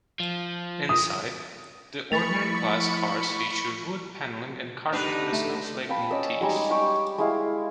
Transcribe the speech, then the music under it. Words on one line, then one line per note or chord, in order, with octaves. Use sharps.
Inside, the ordinary-class cars feature wood paneling and carpet with a snowflake motif.
F3
D#6
F3 A3 E4 B5 C#6 A6 C#7 F7
D3 D4 D#4 G4 B4
A3
F5 G5 A5 B5
C#4 D5 D#5 E6
G3 G#3 D#4 G#4
G5 B5 C#6 D6
G#3 E4 F5